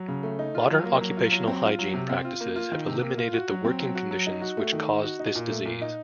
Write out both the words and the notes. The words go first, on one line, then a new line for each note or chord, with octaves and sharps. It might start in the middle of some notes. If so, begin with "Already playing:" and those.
Modern occupational hygiene practices have eliminated the working conditions which caused this disease.
Already playing: F#3
C#3
A3
D#4
F4
F#3
A#3
F#3
F4
F#3
C4
F4
F#3
C3
C4
F4
A#3
F4
D#3
C3
A#3
F4
F#4
F#3
C4
F#3
F#4
F#3
D#4
F#4
A3
D#3
D#4
F#4
D#4
A#2
A3
A#2
D#4